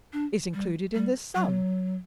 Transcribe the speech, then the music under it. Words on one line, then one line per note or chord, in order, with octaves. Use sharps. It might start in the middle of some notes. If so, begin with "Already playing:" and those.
"Is included in this sum."
D4
G3
G3
F#3